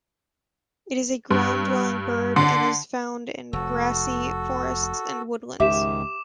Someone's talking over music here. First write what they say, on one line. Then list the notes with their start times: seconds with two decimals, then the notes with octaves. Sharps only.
It is a ground-dwelling bird and is found in grassy forests and woodlands.
1.31 G2
2.36 D3
3.53 F1 F#4 A4
5.60 C#2 G#2 D#3 G4 E5 D6 E7